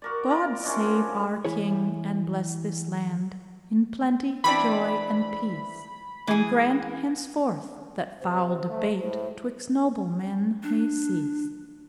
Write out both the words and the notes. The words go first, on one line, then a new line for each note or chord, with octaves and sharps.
God save our king, and bless this land In plentye, joy, and peace; And grant henceforth, that foule debate 'Twixt noblemen may cease!
F#4 A#4 D5
F4 A#4
C3 C#4 D4 D#5
E3 E4 G#4 C#5
E3 C4 D4 B5
E3 G#4
C3 C5
A3
A2 C5
D4